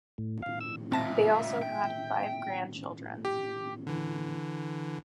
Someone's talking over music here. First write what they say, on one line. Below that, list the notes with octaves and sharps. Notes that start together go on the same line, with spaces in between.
They also had five grandchildren.
A2
F5
E6
C#2 A#2 C4 E5 A5 A#6
G5
G4
D3 E3